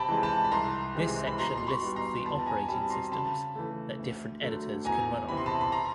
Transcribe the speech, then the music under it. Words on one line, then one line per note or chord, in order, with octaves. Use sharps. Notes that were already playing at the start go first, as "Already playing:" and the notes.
This section lists the operating systems that different editors can run on.
Already playing: C3 G5 A5 B5
E3 G#3
A5 B5
B5
C2 A#5 C6
C3 E3 G#3
B5
B2 A#5 C6
C6
B5 C#6
G3 B3 D#4
A#5 C6
E2 A5 B5
G#5 A#5
B2 G3 C4 A5 B5
A#5 C6
C#3 A5 B5
E3 A3
D2
D3 F#3 A3
E2 G#5 A#5
C3 E3 B5
C6
A5 B5
B5
A#5 C6